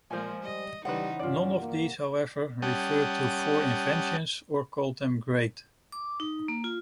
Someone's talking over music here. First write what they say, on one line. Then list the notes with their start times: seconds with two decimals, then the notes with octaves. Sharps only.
None of these, however, referred to four inventions or called them great.
0.11 A#2 F3 G#3 A#3 C5 G#5
0.43 G3 D#5
0.85 C#3 E3 G3 D#4 B4 C5 F#5
1.19 G2 C#4 F4 D5
1.60 A#3
2.62 G3 C#4 F#5 G5 A5 D#6
5.92 D6
6.20 D#4
6.48 A#3
6.64 F4